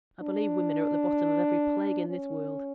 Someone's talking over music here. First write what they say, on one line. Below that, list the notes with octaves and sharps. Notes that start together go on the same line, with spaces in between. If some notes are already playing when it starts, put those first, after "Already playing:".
I believe women are at the bottom of every plague in this world.
D4
C#4